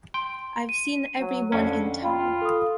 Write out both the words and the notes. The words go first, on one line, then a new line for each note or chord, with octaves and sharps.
I've seen every one in town.
G5 C6
D#7
F#3
F2 D3 C#4
F4 G5 B5
A4 D#6